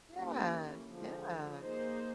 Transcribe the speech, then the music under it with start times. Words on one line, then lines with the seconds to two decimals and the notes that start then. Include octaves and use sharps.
Yeah, yeah.
0.15 D3 G3 A#3 C#4 E4
0.89 D3 F3 G#3
1.63 A#3 D#4 G#4 C5